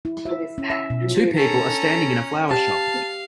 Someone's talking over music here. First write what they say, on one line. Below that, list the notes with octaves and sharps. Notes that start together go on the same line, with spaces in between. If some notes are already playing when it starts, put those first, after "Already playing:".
Two people are standing in a flower shop.
E4
E5
C#4
E5
B2
C#4 A4 A#5
G4 F5 A5